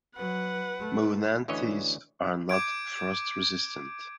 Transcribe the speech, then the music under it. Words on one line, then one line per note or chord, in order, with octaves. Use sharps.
"Monanthes" are not frost-resistant.
F#3 B4 F#5
A3
D2 D3 E3 C#4 C#5 D#5
D6 G6 G#6 D7